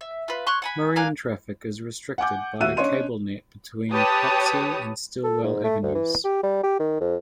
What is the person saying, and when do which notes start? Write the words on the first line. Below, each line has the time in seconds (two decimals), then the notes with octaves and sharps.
Marine traffic is restricted by a cable net between Cropsey and Stillwell Avenues.
0.01 E5
0.28 F4 B4
0.47 C#5 C6 C#6 F#6
0.62 F#5 G#5 B5
0.96 D4 A#4 F5 G#5
2.18 F#5 G#5 D6 G6
2.61 D#1 F#4 E5 E6 F#6 D#7
2.77 C#4 D4 C#5 D#5 C6 D#7
3.91 G4 B4 C#5 A5 D#6
5.24 A4
5.43 G#2
5.64 A3
5.83 D2
5.95 E3
6.24 G4
6.43 G3
6.63 G4
6.80 D#3
7.01 F2